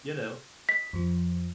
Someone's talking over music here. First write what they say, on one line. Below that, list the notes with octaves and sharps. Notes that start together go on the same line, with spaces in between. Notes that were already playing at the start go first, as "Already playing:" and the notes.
You know?
D#5 B6
F2 F3